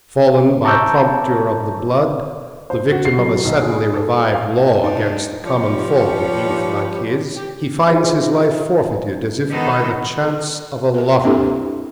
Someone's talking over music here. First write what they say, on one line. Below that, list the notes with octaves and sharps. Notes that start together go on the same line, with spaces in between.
Fallen by "prompture of the blood," the victim of a suddenly revived law against the common fault of youth like his, he finds his life forfeited as if by the chance of a lottery.
A5 A#5 C#6 D6 E6 G6
C5
F#4
C7
F#3
B1
G#4
A4
F5
G#2 C#3 D4 D#4
F3 G3 G4 B4 C#5
G4
D#4 F4 G#4 C5 E5
D#3 B3 D#4 A4
A4
A#4 B4
A#3 C4 D4 E4 G4 A4